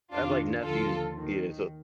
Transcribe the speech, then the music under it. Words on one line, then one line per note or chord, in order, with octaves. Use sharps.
I have, like, nephews. Yeah, so
F2 D#3 D4 F4
D#2 D3 F3 F4 A4
D#2 D#3